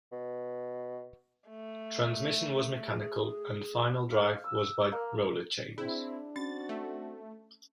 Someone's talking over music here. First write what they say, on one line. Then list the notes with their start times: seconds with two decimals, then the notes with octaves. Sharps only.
Transmission was mechanical and final drive was by roller chains.
0.12 B2
1.49 A3
2.84 G#4
4.11 F5
4.44 E6
4.92 A#3
5.78 C4 D4 E4 G#4
6.36 C4 C#4 F#4 A6
6.69 A3